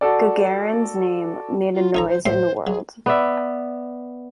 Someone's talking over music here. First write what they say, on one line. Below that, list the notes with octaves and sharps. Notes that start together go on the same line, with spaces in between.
Gagarin’s name made a noise in the world.
F#4 A4 D5
F4
D#4 A4 C#5 A#5
C5
A2 C5 C6
F#3 G#4
B3 D5 E5